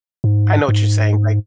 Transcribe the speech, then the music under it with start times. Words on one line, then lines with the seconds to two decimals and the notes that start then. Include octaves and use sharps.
I know what you're saying, like
0.24 G#2
0.68 G#2